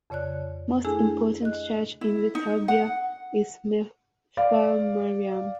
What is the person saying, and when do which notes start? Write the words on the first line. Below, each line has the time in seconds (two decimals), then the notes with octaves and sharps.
Most important church in the "tabia" is Melfa Maryam.
0.10 F2 C#3 C#5 D5 F#6
0.85 A3 D4 E4 G#4 A4 G#5
1.42 D#5 F#6
2.01 E4
2.35 D#4
2.68 F#5
4.37 D5 F5